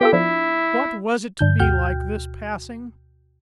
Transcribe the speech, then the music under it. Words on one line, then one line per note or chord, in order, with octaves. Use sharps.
What was it to be like this passing?
B3 F4 G4 A4
F3 B3 D4 E4
G2 D3 G6
D2 B2 F#4 G5 F6 G6